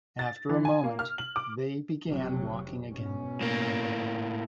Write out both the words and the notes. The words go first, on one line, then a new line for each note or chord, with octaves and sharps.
After a moment they began walking again.
A6
E3
G#5
A#3
F6
F#7
D6
F1 C3 F#3
G#2 B2 C#4
A2 A#3